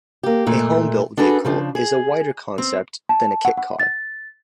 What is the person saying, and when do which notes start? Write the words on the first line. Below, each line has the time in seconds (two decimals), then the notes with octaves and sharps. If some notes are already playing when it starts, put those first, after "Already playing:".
A homebuilt vehicle is a wider concept than a kit car.
0.23 A#3 G4
0.46 F2 A#2 A3
1.17 D4 F#4 G#4 A4 B4
1.44 C#3 F3 D4
1.75 G#4
2.58 C4
3.09 A5
3.45 F#5
3.57 F#5
3.80 A6